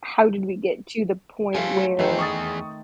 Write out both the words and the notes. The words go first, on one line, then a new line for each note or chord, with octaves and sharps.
How did we get to the point where
F3 G3 A3 E5 F5 G#5
E2 D#3 A3 C4 G#4 B4
C#6 D#6 A6